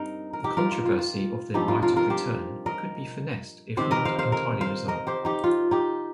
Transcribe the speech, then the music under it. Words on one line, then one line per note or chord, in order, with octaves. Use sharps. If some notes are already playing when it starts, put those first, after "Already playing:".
The controversy of "the right of return" could be finessed if not entirely resolved.
Already playing: G2 C4 D#4 A#4 D#5
A#4
D#4 G4
F4 A#4
F4
F4
F4
G2 F3 C4 D#4 G4
F4 A#4
F4 A#4
F4 A#4
G4 C5
A#4 D#5
C3 D#3 C4 G4 C5
A#4 D#5
C5 F5
C5 F5
A#4 D#5
C5 F5
A#4 D#5
G4 C5
D#4 G4
F4
D#4 G4